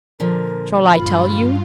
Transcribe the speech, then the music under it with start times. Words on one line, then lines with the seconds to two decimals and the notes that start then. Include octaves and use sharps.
Shall I tell you?
0.20 A#2 D3 F3 A#4
0.93 G2 F4 B5